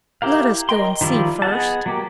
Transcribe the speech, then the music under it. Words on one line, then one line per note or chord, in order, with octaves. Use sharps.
"Let us go and see first."
E4 G4 A#4 F5
A#4 D#5 G5 C6
D#3 F3 G3 E4 F4
B3 G#4 D#5 F#5 A5
F#3 A#3 G4